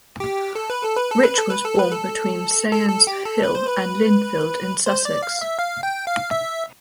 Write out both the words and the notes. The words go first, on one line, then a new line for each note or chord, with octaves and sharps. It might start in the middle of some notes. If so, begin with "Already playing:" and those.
Rich was born between Scaynes Hill and Lindfield in Sussex.
G4
A4
B4
A4
B4
A4
B4
A4
B4
A4
B4
A4
A4
A4
G4
A4
B4
C5
B4
C5
D5
F5
E5
F5
G5
F5
E5